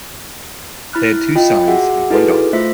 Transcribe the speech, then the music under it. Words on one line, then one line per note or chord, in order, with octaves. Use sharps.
They had two sons, and one daughter.
E4 B5 F6 F#6
F4 D#5 G5
F#4 G#4 E5 F#5
D#4 E4 F#4 G#4 A4 B4
A3 F4 C5 E5 B6